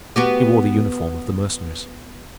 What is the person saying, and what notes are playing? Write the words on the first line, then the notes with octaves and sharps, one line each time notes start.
He wore the uniform of the Mercenaries.
B3 F#4 G4